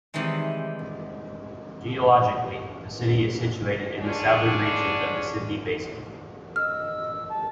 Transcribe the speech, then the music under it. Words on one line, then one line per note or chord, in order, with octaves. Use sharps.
Geologically, the city is situated in the southern reaches of the Sydney basin.
C3 D#3 E3 G3 G#3
D3 G#3 C#4 D4
D#5 E6 F6
A5